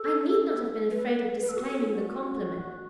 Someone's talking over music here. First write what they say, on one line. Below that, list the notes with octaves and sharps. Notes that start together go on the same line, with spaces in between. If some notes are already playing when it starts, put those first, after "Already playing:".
I need not have been afraid of disclaiming the compliment.
Already playing: A4
B4
B4
A4
F#4
A4
E4
F#4